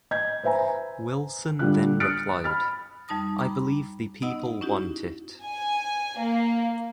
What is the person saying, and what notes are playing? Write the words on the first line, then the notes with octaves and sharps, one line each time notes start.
Wilson then replied, I believe the people want it.
D#5 G6 G#6
B4 C5 E5 G#5 A#5
D3 G3 F4 F#6
D#6 F6 F#6 A6 C#7 D7
B5 F6 A6
F2 G3 D#4 A5 D#6 A#6
G5 A#5 B5 D6
B3 D#4 D#5 F#5 E6
C#4 D#4 E4 F#4 G4
G#5
A#3